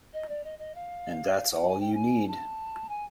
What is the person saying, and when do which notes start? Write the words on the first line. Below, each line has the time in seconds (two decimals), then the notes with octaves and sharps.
And that's all you need.
0.13 D#5
0.28 D5
0.44 D#5
0.59 D#5
0.75 F5
1.36 F5
1.51 F#5
1.67 G#5
1.80 G5
1.94 G#5
2.27 A5
2.89 G#5